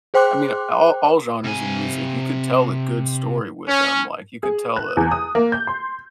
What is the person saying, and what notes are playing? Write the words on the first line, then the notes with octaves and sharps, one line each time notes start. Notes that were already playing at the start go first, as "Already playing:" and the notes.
I mean, all all genres of music, you could tell a good story with them, like, you could tell a
G#4 C5 G5 C6 D6 F#6
C3 G#5
C#4
G#4
F#6
E2
D#6
A#3
G6
C6